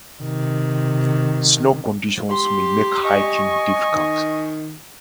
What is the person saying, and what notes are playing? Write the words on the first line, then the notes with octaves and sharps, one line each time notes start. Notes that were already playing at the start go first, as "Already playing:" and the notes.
Snow conditions may make hiking difficult.
C3 D#3
G4 C6
D#5 G#5 C#6
D#3